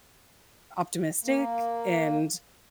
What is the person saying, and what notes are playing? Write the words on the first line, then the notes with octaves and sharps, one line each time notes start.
optimistic, and
A#3